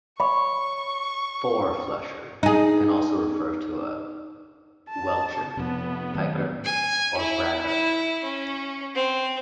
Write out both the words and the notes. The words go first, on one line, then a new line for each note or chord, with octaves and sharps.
Four flusher can also refer to a welcher, piker, or braggart.
C#5 B5 C#6
D#4 G#4
A5
F2 C3 B3
D#3 F#3 A3
G#5
E4
E4
C#4
C4